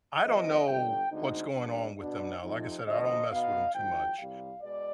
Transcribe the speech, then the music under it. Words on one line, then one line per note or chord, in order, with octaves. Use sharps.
I don't know what's going on with them now, like I said, I don't mess with 'em too much,
F2 C3 G3 B3 D#5
G1 G2 D3 G5
D2 D3 G#3 C4 D#4
B1 B2 G3 D4
B2 B3 D4
F2 C3 F3 C4 D#4
D2 C3 F3 D#5
B2 B3 D#4 F5
G#1 G#2 F3 G5
C2 C3 G3 F5
B2 G#3 D5